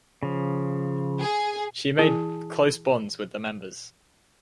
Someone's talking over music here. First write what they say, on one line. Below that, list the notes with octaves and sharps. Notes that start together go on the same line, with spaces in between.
She made close bonds with the members.
C#3 F3
G#4
E3 E4 G#4 A5